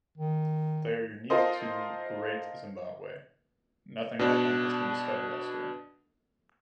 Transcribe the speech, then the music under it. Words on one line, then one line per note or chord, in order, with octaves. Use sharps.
They are unique to Great Zimbabwe; nothing like them has been discovered elsewhere.
D#3
F4 A4 A#4 C5 D#5
B2 D4